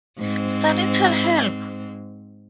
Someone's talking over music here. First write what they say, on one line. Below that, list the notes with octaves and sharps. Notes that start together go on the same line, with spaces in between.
Sentinel Help!
G#2 C4